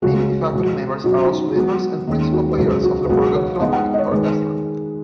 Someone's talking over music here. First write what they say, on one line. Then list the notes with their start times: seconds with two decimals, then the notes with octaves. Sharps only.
Many faculty members are also members and principal players of the Bergen Philharmonic Orchestra.
0.02 C#2 C#3 G#3 F#4
0.53 B2 G#3 B3
1.04 B2 F#3 C#4 F#4
1.25 F#4
1.30 D#4
1.48 G#4
1.55 G#2 F#3 B3 F#4
2.07 D#2 D#3 G#3 C#4 D#4
2.33 F#4
2.51 B4
2.57 C#2 B2 F#3 C#4 G#4
2.84 F#4
3.06 B4
3.09 C#2 B2 F#3 B3 G#4
3.35 C#5
3.60 G#2 G#3 B3 D#5
3.73 F#5
3.94 D#5
3.98 C#5
4.11 G#2 D#3 G#3 B4